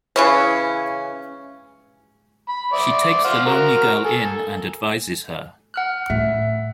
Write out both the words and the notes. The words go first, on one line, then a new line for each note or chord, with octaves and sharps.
She takes the lonely girl in and advises her.
C#3 E3 C#4
B5
C5 D5 E5
C5 F5 F#5
F#4 A#4
A4 G#5
F#5 F6 F#6
A2 E5